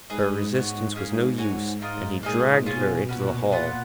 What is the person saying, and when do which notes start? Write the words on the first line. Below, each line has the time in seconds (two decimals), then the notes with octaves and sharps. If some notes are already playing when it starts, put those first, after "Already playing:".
Her resistance was no use, and he dragged her into the hall.
0.09 G#2 G#4 B4 D#5
0.52 G#2 B3 F#4 C#5
0.95 G#2 A#3 C#4 G#4 D#5
1.38 F#4 C#5 G#5
1.80 G#2 F4 A#4 D#5
2.23 A#2 A#3 D#4 G#4 D#5
2.66 B2 C#4 F4 G#4
3.09 A#2 C#4 F#4 B4
3.51 A#2 B3 F4 B4 F#5